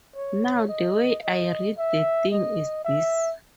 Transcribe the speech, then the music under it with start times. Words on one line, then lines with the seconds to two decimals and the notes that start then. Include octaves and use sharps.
Now the way I read the thing is this.
0.16 C#5
0.69 D#5
1.24 D#5
1.77 E5
2.32 D#5
2.85 E5